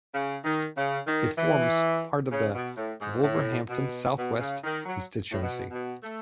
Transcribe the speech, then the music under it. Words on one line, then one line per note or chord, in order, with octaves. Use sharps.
It forms part of the Wolverhampton South West constituency.
C#3
D#3
C#3
D#3
E3
C#3
B2
A2
G#2
A2
B2
B2
C#3
D#3
F#3
A2
B2
B2
A3